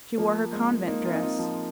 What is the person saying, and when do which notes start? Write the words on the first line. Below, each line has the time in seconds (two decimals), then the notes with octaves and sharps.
She wore her convent dress.
0.18 F3 A#3
0.53 G#3 C4
0.87 A#3 D#4
1.05 C4 F4
1.15 D#4
1.23 C4 F4
1.39 F3